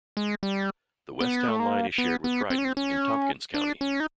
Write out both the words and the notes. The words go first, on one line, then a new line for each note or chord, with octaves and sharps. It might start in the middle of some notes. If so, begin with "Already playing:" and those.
The west town line is shared with Dryden in Tompkins County.
G#3
G3
B3
A3
A#3
B3
B3
C4
C#4
C4
C#4
D4
C#4
D#4